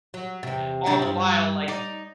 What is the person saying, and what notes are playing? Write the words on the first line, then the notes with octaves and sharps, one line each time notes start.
eh, all the while, like
F#3
E2 C3
C3 F#3 D4
G2
D#4 D5